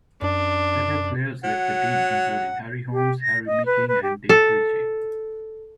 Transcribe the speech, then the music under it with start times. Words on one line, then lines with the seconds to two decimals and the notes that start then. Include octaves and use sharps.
Several players left the team, including Harry Holmes, Harry Meeking and Dave Ritchie.
0.22 F#2 D4
1.44 F#3 F#5
2.92 G4
3.22 A#6
3.46 D#5
3.66 B4
3.88 B4
4.03 G4
4.29 A4